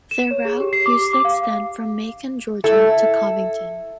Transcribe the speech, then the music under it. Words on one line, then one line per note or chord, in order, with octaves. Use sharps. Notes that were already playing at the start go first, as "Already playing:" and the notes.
Their route used to extend from Macon, Georgia to Covington.
E7
C#5
G#4
G4
C7
D6
G4
D6
F5
E4 A4